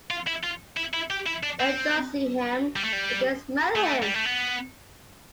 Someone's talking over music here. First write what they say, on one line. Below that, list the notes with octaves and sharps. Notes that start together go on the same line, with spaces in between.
They don't see him, but they smell him.
F4
E4
F4
E4
E4
G4
E4
D4
C4
G3
A3
G3
A3
G3
A3
B3